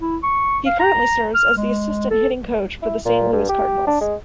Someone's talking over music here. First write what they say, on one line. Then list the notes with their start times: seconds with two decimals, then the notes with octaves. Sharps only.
He currently serves as the assistant hitting coach for the Saint Louis Cardinals.
0.01 E4
0.23 C#6
0.66 F5
0.80 A#5
1.34 F6
1.57 G#3
2.11 A4
2.82 E4
3.05 A#2
3.33 G2
3.49 G4
3.87 D4
4.01 G#3